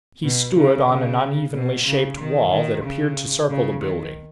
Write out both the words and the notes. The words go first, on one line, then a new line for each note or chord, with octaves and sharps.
He stood on an unevenly shaped wall that appeared to circle the building.
B2
C#3
C#3
B2
C#3
D#3
D#3
C#3
C#3
D#3